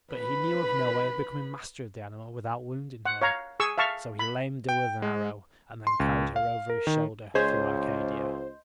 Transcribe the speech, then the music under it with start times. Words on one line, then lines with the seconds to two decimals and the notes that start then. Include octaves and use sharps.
But he knew of no way of becoming master of the animal without wounding her, so he lamed her with an arrow and then carried her over his shoulder through Arcadia.
0.12 B4 B5
3.05 F#5
3.22 C#5 F5 A#5
3.60 G#4 C#6 E6
3.78 E5 F5 A5 C#6
4.19 B5
4.69 G5
5.02 G#3
5.87 C6
6.00 C#2
6.36 F5
6.70 A#4
6.87 D#3
7.35 C#2 G#4 C5 C#5 D#5 C6 G6